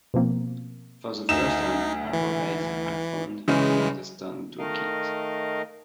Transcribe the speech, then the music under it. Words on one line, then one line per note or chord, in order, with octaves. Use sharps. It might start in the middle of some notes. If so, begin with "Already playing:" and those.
For the first time arrowheads are found among the stone tool kit.
B2 F3 A#3 C4
D2 D#4 E7
E3
C#3 E3 G#3 C#4
D#3 A3 A#4 D#5 F5